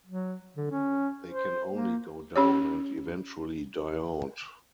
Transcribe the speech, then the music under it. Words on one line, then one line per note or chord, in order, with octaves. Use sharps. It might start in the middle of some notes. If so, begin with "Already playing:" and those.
They can only go down, and eventually die out.
F#3
D3
C#4
C5
A#3
C#4 G4 C#5